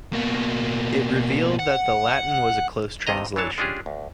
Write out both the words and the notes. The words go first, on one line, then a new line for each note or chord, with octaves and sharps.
It revealed that the Latin was a close translation.
B2 A#3
F#5
F2 C3 D#3 D#5 A#5
E3 F#3 D4 C#5 A5
G#3 C#4 D4 F4 G4 G#4
D2